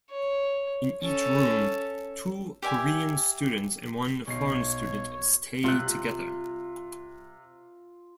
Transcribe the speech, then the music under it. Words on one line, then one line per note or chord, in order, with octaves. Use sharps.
In each room, two Korean students and one foreign student stay together.
C#5
C#4 A4
G4 D5 E5 G#5
B1 C#5 C7
C3 F4 F#6